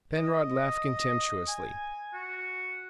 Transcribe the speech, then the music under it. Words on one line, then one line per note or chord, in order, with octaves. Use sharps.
Penrod laughed contemptuously.
D#5
G#5
F#4